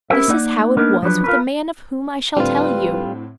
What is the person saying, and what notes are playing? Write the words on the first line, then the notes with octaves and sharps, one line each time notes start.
This is how it was with a man of whom I shall tell you.
C#4 E4 G4 A#4 C5 E5
A#3 D#4 D5 F#5
A#3 B3 D4 D#4 A#4
F3 F#3 D4 B4
F4 A#4 B4
A2 D3 G3 C4 F4 B4